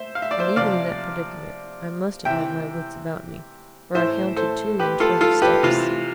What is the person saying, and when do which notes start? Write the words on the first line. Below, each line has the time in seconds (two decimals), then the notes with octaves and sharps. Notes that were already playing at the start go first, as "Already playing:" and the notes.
And even in that predicament I must have had my wits about me, for I counted two-and-twenty steps.
Already playing: C5 E5
0.15 F5
0.22 E5
0.31 D5
0.39 C5 E5
0.56 C3 F3 D5 F5
2.25 C3 E3 E5 G5
3.94 A2 E3 C5 E5
4.36 A4 C5
4.79 G4 B4
5.00 F4 A4
5.21 F4 A4
5.42 G4 B4
5.63 C3 E3 F4